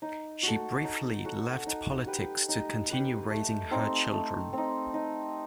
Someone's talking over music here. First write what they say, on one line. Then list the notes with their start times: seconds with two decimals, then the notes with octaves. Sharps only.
She briefly left politics to continue raising her children.
0.02 D#4
0.43 F#4 A4
0.84 D#4
1.25 F#4 A4
1.67 D#4
2.07 G4 B4
2.49 D#4
2.90 G4 B4
3.30 A3
3.71 C4 D#4
4.13 A3
4.53 C4 D#4
4.94 D#4